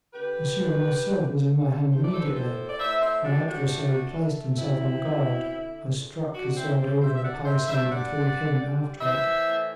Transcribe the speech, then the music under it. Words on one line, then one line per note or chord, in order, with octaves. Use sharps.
"Monsieur, my sword was in my hand immediately, my adversary placed himself on guard, I struck his sword over the palisade, and threw him after it."
D3 G4 B4
E2
E2
A3
E3 C5
D5
A4 C5
B4
A2 A4 C5
D5
A2 C5 E5
C5 E5
G3 D4 F#4
D4 F#4
A3
A3
B2 C4 E4
B2
D3
E2
E2 D4 F#4
C4 E4
G3 A4 C5
C5 E5
E5
D3 D5 F#5
C5 E5
G2 C5 E5
D5 F#5
G2
G3
E3 C5 E5
A2